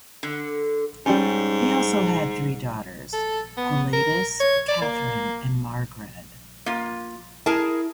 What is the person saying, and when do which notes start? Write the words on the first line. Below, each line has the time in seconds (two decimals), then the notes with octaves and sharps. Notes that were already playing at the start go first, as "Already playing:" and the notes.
He also had three daughters, Gwladus, Catherine and Margred.
0.23 D3
1.06 G#2 G3 C#4
3.13 A4
3.57 B3
3.93 A#4
4.40 C#5
4.68 D5
4.81 A#3
6.66 A#3 F4
7.46 E4 G#4 A#4 A5